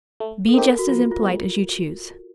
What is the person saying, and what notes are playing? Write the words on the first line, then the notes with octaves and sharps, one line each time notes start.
Be just as impolite as you choose.
A3
A4
C4 D#4 G4 A#4
F#4
F3 F4
F4
G#3 B3